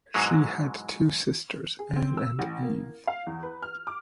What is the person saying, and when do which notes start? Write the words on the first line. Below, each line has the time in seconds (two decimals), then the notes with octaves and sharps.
She had two sisters, Ann and Eve.
0.14 G#2 B2 E3 F#3 G#3
1.79 G#4
1.96 C4
2.17 E6
2.39 A1
2.62 A#3
3.07 F5
3.27 E2
3.43 B4
3.63 F6
3.87 D6